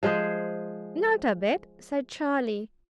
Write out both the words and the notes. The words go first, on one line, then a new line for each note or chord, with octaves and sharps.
"Not a bit," said Charlie.
F3 G#3 G#4 C5